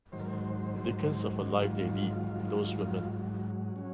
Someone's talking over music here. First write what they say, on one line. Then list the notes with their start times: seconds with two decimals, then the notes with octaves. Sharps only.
Dickens of a life they lead, those women.
0.12 G#2 D#3 F#3 C5
0.20 A#4
0.28 C5
0.85 G#2 D#3 F#3
1.57 G#2 D#3 F#3 F4
2.31 G#2 D#3 F#3
3.03 G#2 F#3
3.76 F#3 C#4